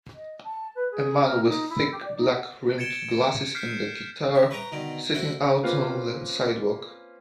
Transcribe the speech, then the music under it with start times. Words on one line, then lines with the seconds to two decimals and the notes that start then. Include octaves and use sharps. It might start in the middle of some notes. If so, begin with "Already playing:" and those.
A man with thick black rimmed glasses and a guitar sitting out on the sidewalk.
0.14 D#5
0.44 A5
0.75 B4
0.91 G#4
1.25 A#4
1.45 D#4
1.69 E4
1.92 G4
2.04 D5
2.17 D#4
2.30 F#5
2.78 G#6 A6 C#7 D7 E7 G7
3.55 F6 G6 B6 C7
4.35 E5
4.51 B4 C#5 G5 A#5
4.72 B2 D3 D#3
5.14 E4 F#4 C5 F#5
5.63 A#3 C4 C#4 F4 B4